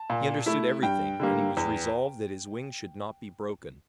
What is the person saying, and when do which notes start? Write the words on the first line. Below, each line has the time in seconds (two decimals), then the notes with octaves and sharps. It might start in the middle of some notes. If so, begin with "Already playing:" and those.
He understood everything and he was resolved that his wing should not be broken.
Already playing: A5
0.10 A#2
0.46 A3 E4
0.83 G2 G5
1.20 D3 G3 A#3
1.57 E2